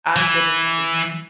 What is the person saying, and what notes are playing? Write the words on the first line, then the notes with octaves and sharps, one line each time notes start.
I'm good with everything.
E3